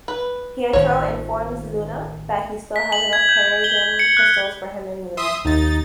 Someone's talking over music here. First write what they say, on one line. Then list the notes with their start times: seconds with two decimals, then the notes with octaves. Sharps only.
Pietro informs Luna that he still has enough Terrigen Crystals for him and Luna.
0.08 B4
0.73 A1 D#3 F3 C#5
2.76 B6
2.92 F#7
3.13 G#6
3.29 G6
3.64 G7
3.99 C#7
4.17 F#6
5.17 E5 C6 D#6
5.45 D#2 D#4 A6